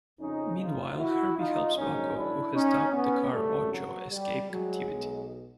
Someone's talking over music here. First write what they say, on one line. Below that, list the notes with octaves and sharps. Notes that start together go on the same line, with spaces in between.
Meanwhile, Herbie helps Paco, who has dubbed the car 'Ocho', escape captivity.
F2 C#3 F3 C#4 D#4
D#4 F4
E4 F#4
D#4 F4
A#1 G#2 D#3 F#3 C#4 D#4
D4 E4
C#4 D#4
B3 C#4
G#1 F#2 C#3 G3 A3
F#3
G3
F#3 G#3
B1 B2 F#3